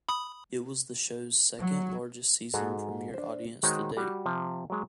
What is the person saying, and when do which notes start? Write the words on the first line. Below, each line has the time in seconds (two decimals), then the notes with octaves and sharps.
It was the show's second largest season premiere audience to date.
0.09 B5 D#6
1.59 F#3
2.54 G#2 F#4 G#4 A4 A5
3.14 D4 C5
3.63 D#3 G#3 D#4 F#4 C5 C#5
3.97 G3 F#4 G4
4.26 C3 F3
4.70 F#3 G#3